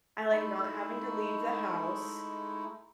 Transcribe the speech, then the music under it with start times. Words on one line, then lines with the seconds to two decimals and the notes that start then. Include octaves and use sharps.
I like not having to leave the house,
0.31 G#3 A3 D#4 E4